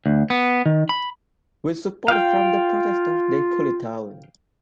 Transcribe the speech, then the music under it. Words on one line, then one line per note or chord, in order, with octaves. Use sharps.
With support from the protesters, they pulled it down.
D2
B3
D#3
B5
F4 F5 G5